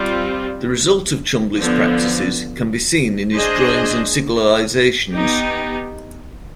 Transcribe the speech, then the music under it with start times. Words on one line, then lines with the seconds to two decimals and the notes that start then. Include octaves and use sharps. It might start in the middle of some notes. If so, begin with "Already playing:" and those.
The results of Chumbley's practices can be seen in his drawings and sigillisations.
Already playing: G3 C4 F4
1.58 D3 F3 B3
3.35 D4 G#4 C5 D#5
5.12 B3 D#4 G4